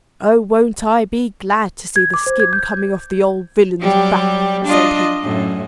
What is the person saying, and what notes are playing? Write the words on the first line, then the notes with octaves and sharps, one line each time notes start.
"Oh, won't I be glad to see the skin coming off the old villain's back!" said he.
G#6
D6
C5
G#6
G6
F#3 G3 G4
D4 F4 D#5
F#2 A2